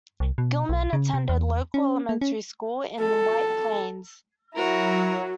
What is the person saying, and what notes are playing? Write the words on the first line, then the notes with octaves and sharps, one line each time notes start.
Gilman attended local elementary school in White Plains.
C2
B2
B1
C#3
C3
E2
C#4
A#3
C#4
A4
F#3 E4 F#4 A#4 C#5 A#5